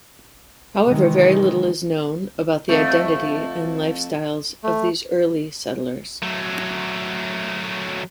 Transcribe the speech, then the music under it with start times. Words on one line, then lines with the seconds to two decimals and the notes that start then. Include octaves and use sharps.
However, very little is known about the identity and lifestyle of these early settlers.
0.86 C3 D#3 E3 G#3
2.69 F2 A3
4.64 A3
6.22 F#3 A3